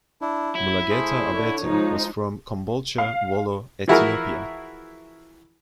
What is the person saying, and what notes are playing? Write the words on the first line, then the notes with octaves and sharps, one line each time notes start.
Mulugeta Abate was from Kombolcha, Wollo, Ethiopia.
D4 E4
F#3 E4
A3 G#4 C5
D3 C#5
F3 G#3 D#4
F5
E3 F3 E4 F#4 G#4 A#4